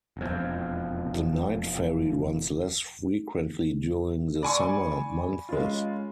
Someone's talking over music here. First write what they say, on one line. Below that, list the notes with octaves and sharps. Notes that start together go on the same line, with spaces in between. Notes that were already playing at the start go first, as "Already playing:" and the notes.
The night ferry runs less frequently during the summer months.
E1 F2
D5 G#5 B5 C#6
G#3 C#4 F4